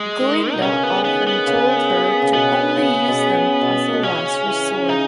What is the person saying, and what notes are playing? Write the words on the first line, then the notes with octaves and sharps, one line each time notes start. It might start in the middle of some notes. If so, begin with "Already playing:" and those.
Glinda often told her to only use them as a last resort.
Already playing: G#3
D#3
B2 D#4
C#3 C#4
B3
D#3 B3
B3
C#3
C#3
C#3
B2 B3
C#3
B2
C#3
B2
B2
C#3 C#4
E3
C#3 D#4